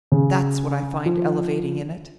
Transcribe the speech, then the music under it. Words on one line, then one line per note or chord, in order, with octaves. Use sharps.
That's what I find elevating in it.
C#3
F3